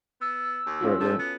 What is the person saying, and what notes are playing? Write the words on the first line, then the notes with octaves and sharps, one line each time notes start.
Right, right.
B3 E6
D#2
C#4 F4 F#4
F3 C#4 A4
B3